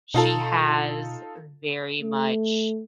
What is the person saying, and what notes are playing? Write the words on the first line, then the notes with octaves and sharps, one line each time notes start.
she has very much
B2 D#4 F4 A4
A3